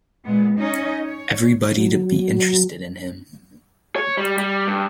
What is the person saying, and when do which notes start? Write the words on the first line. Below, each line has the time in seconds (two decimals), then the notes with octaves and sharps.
Everybody'd be interested in him.
0.25 A#2 G#3 B3
0.58 C#4 D#4 D#5
1.04 C#5
1.77 F#3
3.96 C#5
4.17 G3
4.38 G3
4.67 G2